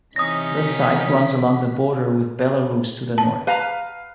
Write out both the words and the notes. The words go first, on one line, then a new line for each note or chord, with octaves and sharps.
The site runs along the border with Belarus to the north.
C3 E3 C#4 D#4 D#6 A#6 B6
A5
B4 F5 A#5